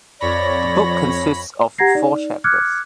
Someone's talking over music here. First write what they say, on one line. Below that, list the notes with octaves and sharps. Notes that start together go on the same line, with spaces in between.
The book consists of four chapters.
F2 C#5 D5 B5 A#6
G4 F#5 A#5 G#6 A#6 C7
D#4 D5
D6 F6 F#6 G#6 C#7